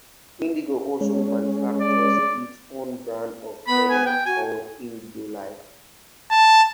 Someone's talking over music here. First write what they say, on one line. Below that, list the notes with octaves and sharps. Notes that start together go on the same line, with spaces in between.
Indigo also manufactures its own brand of products, called IndigoLife.
G#3 C#4
D5
B3 B5
G#5
G5
F#4 G#5
A5